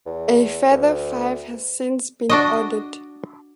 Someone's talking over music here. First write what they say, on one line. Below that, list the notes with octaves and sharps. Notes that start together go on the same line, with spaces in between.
A further five has since been ordered.
E2
D2
D4 F#4 D#5